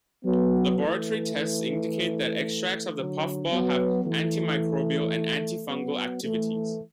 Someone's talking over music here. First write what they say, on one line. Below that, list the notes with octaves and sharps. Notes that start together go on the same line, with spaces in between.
Laboratory tests indicate that extracts of the puffball have antimicrobial and antifungal activities.
F#3 B3
E3 A3
D3 F#3
F#3 B3
E3 A3
F#3 B3
E3 A3